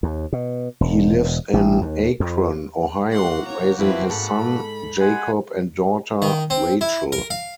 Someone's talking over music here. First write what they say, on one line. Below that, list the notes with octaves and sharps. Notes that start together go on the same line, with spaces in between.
He lives in Akron, Ohio raising his son, Jacob and daughter, Rachel.
D#2
B2
E1
A1
D#2
F2
A#3 F#4 F#5 C6
C#5 A#5
F2 C4 E4 B4
G#2 A4 B5
G#3 F#5 G#5
D#3
C4
E4
A#4
F5